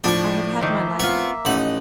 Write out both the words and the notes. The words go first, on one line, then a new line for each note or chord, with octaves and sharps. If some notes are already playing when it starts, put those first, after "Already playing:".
I have had my life.
A2 F3 D4 C#6
D#3 A#3 C5 E5
B3 C4 F4 C#6
A1 F3 D#4 F#5